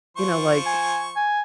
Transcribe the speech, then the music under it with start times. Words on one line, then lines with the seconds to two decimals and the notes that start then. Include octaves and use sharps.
you know, like
0.17 F3 C5 C#6
0.66 G#5
1.16 G#5